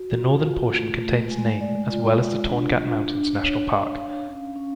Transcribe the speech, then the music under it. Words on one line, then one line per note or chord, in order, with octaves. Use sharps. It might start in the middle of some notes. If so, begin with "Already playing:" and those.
The northern portion contains Nain as well as the Torngat Mountains National Park.
Already playing: F#4
F4
F4
A3
A3
G#3
D5
F4
F4
D4
D4
D4
C#5
D4
F5
C#4
C#4